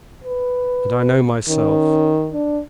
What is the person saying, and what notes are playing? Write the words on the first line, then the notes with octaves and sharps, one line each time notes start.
And I know myself.
B4
D#3 C#4
D4